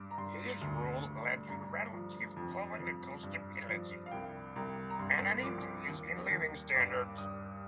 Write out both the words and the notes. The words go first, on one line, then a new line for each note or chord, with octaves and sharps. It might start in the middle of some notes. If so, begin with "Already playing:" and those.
His rule led to relative political stability and an increase in living standards.
Already playing: G2 D6
A#5
G2 C6
D2
D2
G2 A#5
F3
F2
F2
G2
F3
F5
C2 G5
C2 A#5
A#5
G2 C6
F3 D6
D#2
D#2
G2 D6
G2 D#6